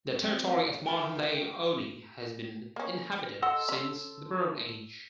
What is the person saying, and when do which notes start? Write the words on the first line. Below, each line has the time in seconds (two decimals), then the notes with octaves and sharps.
The territory of modern-day Oni has been inhabited since the Bronze Age.
0.23 C4
0.86 E3 F4 F#4 A#4 E5 G5
2.76 A#3 C#4
3.42 A4 D#5 F#5 C6 E6
3.69 C#4